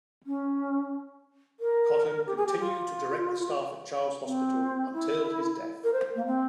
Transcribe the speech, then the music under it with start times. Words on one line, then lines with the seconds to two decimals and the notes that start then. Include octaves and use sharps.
Cotton continued to direct the staff at Charles Hospital until his death.
0.26 C#4
1.60 A#4
2.27 G4
2.37 G#4
2.46 G4
2.60 F4
4.26 C4
4.93 E4
5.84 A#4
5.93 C5
6.15 A#3
6.26 C4